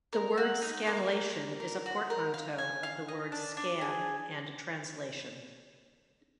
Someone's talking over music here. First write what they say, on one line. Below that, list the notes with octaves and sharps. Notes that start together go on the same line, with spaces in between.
The word "scanlation" is a portmanteau of the words scan and translation.
A#4
F#4
D#4
A#3
A#3
A#3
A#4
F#4
A#4
F5
G#5
F5
D#5
D4
D4
G#4